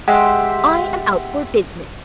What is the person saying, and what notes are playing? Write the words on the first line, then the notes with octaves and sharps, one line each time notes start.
I am out for business.
G#3 G4 C5 E5 F#5